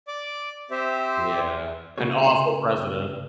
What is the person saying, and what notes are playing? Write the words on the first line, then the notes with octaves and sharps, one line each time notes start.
Yeah, an awful president.
D5 D6
C4 G4 C5 E5
C#3 A3 F#4 G#4 C#5